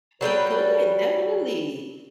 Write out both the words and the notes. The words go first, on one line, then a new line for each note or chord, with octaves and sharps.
It could, definitely,
F#3 G3 B4 G5